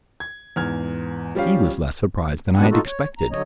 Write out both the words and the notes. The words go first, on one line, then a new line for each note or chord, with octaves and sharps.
He was less surprised than I had expected.
G#6
E2 G#2 F6 G#6
F3 G3 C#4 F5
F2 B2 G3 B3 D4 F#5
D#4 F4 F#4 A4
C#5
A#5
D3 F#3 C#5 D#5